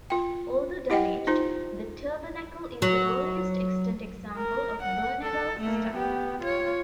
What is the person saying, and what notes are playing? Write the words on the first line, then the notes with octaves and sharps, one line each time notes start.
Although damaged, the tabernacle is the earliest extant example of Berneval's style.
F4 G5
E4 G4 D#5 F#5 G5
D#4 F4 C5
F#3
A#4
F#5
A4
A3 A#3
B3 G4
F4 C#5